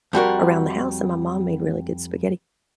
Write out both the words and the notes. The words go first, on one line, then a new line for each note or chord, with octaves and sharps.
around the house, and my mom made really good spaghetti.
F2 G3 F#4 A#4